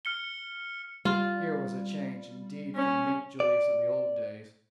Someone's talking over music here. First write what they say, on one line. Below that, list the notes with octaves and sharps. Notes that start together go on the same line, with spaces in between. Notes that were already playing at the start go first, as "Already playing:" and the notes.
Here was a change indeed from the meek Julius of the old days.
F6 C#7 G7
G3 F4
C#4
D5